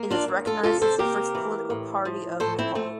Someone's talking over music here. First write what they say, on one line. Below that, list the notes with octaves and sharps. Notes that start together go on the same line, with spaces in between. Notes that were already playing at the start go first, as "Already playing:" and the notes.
It is recognised as the first political party of Nepal.
Already playing: A#3
D4 F4
E2
F4 A4
C3 F4 A4
A4 C5
A#3 G4 A#4
E3
A2
F3
A2 A4 C5
C4 E4
A3 C4